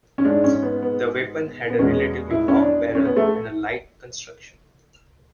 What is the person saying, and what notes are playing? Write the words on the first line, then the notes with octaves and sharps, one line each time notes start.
The weapon had a relatively long barrel and a light construction.
C#4
G#2 G#3 D4
C#4
B3
B3
B3
E2 B2 G#3 C#4
E4
C#4
D4
C#4
B3
A3